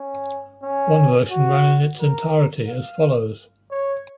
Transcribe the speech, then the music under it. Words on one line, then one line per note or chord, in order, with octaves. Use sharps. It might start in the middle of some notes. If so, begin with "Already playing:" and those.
One version ran in its entirety as follows.
Already playing: C#4
C#4
F#4
A#4
F5
C#5